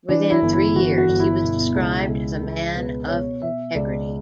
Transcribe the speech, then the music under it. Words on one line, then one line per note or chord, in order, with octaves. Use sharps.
Within three years he was described as a man of integrity.
E3 D4
E4
G1
E4
E3 F#4
F#4
G1
E4
B2
C#2
C#2
C#2
B2 B4
B4
B2 C#5
B2 E5
C#2 D5